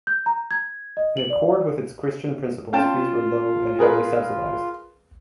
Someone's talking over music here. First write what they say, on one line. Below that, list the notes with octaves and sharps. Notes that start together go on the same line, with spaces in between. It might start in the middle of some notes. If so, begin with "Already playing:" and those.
In accord with its Christian principles, fees were low and heavily subsidised.
G6
A#5
G#6
D#5
F#7
D5
C#4 F4 G5 A5
G#4 A#4 B4